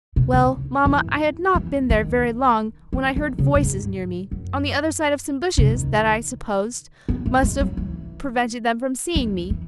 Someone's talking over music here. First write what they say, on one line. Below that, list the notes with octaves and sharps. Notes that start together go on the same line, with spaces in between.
Well, mamma, I had not been there very long when I heard voices near me, on the other side of some bushes, that, I suppose, must have prevented them from seeing me.
B2
C#3
E3
E3
D#3
E3
D#3
C#3
F#2
G#2
F#2
C#3
D#3
B3
A3
G#3
F#3
E3
D#3
E3